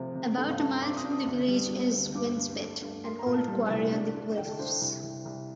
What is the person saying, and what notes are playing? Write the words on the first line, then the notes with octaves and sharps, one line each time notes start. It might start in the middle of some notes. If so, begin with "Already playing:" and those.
About a mile from the village is Winspit, an old quarry on the cliffs.
Already playing: C3 F3 A3
C3
G2 A4
F5
G2 A5
A#5
C6
D4 D6
D#6
D4
D#6
D2
G3
G3
D2
G2 D6
G2
A3
G2
A#3 C6
A#5
A#2
A5
G3 A5
C2
D4
D4
D3 G5
A4
D4 C5
C2
C2
C2